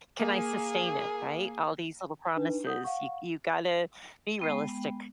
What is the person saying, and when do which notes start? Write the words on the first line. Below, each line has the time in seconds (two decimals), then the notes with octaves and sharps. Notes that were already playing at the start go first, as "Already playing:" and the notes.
can I sustain it, right? All these little promises, you you gotta be realistic
0.19 A#3 G#4
2.37 D4 D#4 B4
2.65 F#5 D#6 G6
2.84 F5 F#5 C#6
4.39 G#3 B3 G5